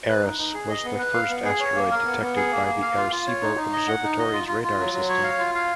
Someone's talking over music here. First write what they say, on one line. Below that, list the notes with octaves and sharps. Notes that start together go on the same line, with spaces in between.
Eros was the first asteroid detected by the Arecibo Observatory's radar system.
B4
D#4
D#4
G#4
D#5
B3
B4
F5
B3
G#4
C#5
A#3
A#4
B3
B3
G#4
A#3
A#3
F5
F4
F4
C#5
D#4
D#4
D#5
F#5
D#4
D#5
F4
F4
F4
F#3
F#3
C#5
F5
F4
F5